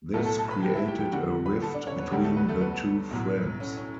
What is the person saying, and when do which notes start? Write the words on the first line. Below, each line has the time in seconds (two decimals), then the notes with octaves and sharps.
This created a rift between the two friends.
0.14 B1 A2 F#3 A3 A4 A5
0.25 A4 A5
0.38 A4 A5
0.50 B4 B5
0.63 G4 G5
0.75 E4 E5
0.88 G4 G5
1.00 G4 G5
1.12 E2 D3 G3 F#4 F#5
1.46 B4 B5
1.62 A4 A5
1.74 D4 D5
1.87 C#4 C#5
1.99 B3 B4
2.11 D2 D3 F#3 G3 G4
2.24 A3 A4
2.37 B3 B4
2.48 A3 A4
2.61 B3 B4
3.11 B1 A2 F#3
3.60 C#4
3.77 C#4